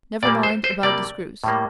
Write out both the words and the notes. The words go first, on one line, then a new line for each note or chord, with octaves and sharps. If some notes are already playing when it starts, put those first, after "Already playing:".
Never mind about the screws.
A#2 G3 A#3 D5
C5
C5
C3 G3 A#3 D5
A2 G3 A#3